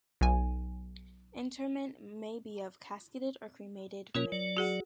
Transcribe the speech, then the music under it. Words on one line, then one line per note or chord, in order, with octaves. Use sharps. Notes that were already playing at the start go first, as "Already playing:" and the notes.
Interment may be of casketed or cremated remains.
B1 G#5
B2 A#3 C#4 F4 A#4 C#5
F#3 D5
F#4 G#4 F#5